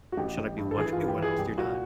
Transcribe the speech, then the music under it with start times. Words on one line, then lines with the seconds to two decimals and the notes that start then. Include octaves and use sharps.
should I be wondering what else you're not
0.12 F#4
0.17 A1 G4
0.38 A1
0.58 G2
0.71 A4
0.78 E3 G#4
0.93 F4
0.98 E3
1.08 G4
1.18 E3 G#4
1.38 C2 G4
1.58 A#2 F#4